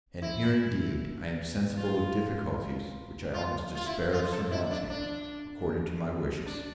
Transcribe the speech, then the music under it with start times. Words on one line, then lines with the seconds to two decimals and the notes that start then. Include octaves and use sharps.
And here, indeed, I am sensible of difficulties which I almost despair of surmounting according to my wishes.
0.22 E4
1.77 F4
3.34 F4
3.75 F4
3.86 E4
4.13 F4
4.32 A4
4.51 E4
4.71 D4
4.90 D4
6.46 D4